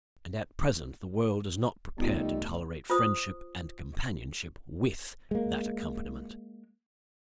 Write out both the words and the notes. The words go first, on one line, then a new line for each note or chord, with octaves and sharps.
And at present the world is not prepared to tolerate friendship and companionship WITH that accompaniment.
C2 G3 A3 B3 D#4 F4
F4 C5 D#6
G#3 A#3